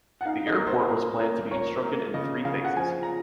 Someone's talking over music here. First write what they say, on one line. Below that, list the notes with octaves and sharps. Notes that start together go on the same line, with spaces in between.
The airport was planned to be constructed in three phases.
F#5
D#4 F5
D#5
A#3
C5
A#3
A#3
A#3 C#5
A#3
C#3 D#5
C#3 F5
F#5
F3 G#5
A#5